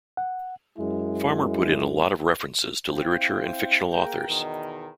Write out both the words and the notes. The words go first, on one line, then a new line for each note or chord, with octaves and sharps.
Farmer put in a lot of references to literature and fictional authors...
F#5
F#2 G#3 E4
C4 E4 F5 G5
A#3 G#4 A#4 G5
E2 B2 D#3